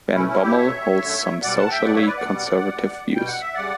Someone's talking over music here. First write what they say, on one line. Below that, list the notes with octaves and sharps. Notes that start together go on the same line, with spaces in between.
Van Bommel holds some socially conservative views.
B2 A3 C#4 E4
C#4 E4
E4 G4
B2 A3 C#5 E5
F#2 D3 A3
B2 G3 D5 F#5
F#5 A5
E5 G5
G2 F#3 A3 D5 F#5
C#5 E5
B4 D5
D5 F#5
B2 G3
A2 E3 G3
B2 G3 G5
F#5
E5
C#3 G3 D5 F#5